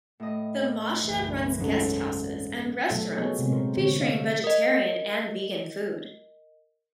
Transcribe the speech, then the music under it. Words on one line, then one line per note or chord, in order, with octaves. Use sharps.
The moshav runs guesthouses and restaurants featuring vegetarian and vegan food.
A2 D#5
F#1 B1 E3
G#2 F3 C#4 A4
B2 F#3 A3 A4
F3 B3 G#4 C#5 D#5
C3 G#3 B3 C4
A#2 A#4 C5
A#2 D3 F3 C4 C#5
D#5 F5
A#4 D#5